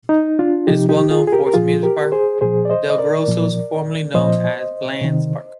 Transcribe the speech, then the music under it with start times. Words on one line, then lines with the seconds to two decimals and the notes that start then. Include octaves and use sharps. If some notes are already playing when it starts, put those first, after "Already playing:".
It is well known for its amusement park, DelGrosso's, formerly known as Bland's Park.
0.09 D#4
0.39 D4 F4
0.67 C3 F3 D#4 G4
0.89 D#4 G4
1.11 F4 G#4
1.27 G#4
1.32 G4 A#4
1.46 A#4
1.54 A#2 F3 F4 G#4
1.83 G4 A#4
2.12 G#4 C5
2.41 A#2 F3 G#4 C5
2.65 D5
2.70 C5 D#5
2.90 D#5
2.98 A#4 D5
3.28 A#2 F3
4.14 A#2 F3 C5 D#5
5.01 C3 D#3